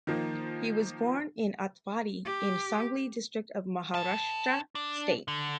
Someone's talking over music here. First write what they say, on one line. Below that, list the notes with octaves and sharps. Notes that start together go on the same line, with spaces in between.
He was born in Atpadi, in Sangli district of Maharashtra state.
D#3 F3 A#3
G4
B4 A5
D4
D3